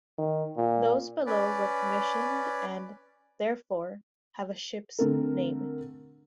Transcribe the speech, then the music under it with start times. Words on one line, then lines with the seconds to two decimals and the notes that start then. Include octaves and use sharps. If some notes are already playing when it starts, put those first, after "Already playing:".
Those below were commissioned and, therefore, have a ship's name.
0.18 D#3
0.57 A#2
1.26 C#4 B4 D5
4.99 D3 A3 C4 A4 A#4